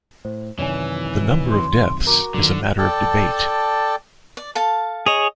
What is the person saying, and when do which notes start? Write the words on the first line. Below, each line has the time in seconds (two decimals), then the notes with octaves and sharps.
The number of deaths is a matter of debate.
0.25 A2 C5
0.59 F#2 C3 D#3 E3 C#5 D5 G#5
1.50 C6
2.07 F#4 A#4 A#5 D6
2.34 D3 D#3 F#3
2.79 A4 D5 G5 A5
4.37 D5
4.55 A4 F5 A5
5.06 G#4 C#5 D#5